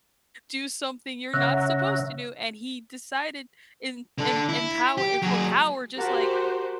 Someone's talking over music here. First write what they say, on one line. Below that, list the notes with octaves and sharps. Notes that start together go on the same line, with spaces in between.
do something you're not supposed to do," and he decided in in in power and for power just like,
C#3 C#5 E5 F#5 A#5
D3 A4
E4
G4
F#3 G#4
F#4 G4 A#4 C5 F#5 A5